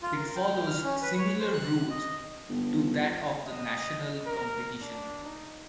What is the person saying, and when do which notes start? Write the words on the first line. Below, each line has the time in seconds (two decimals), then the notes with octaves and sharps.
It follows similar rules to that of the national competition.
0.03 F4
0.15 A#4
0.36 G5
0.67 F6
0.83 C#4
1.02 B4
1.18 C#5
1.39 C5
1.53 F#6
1.90 D#5
2.49 G1
3.46 D#5
4.26 A#4
4.81 D4
5.24 D#4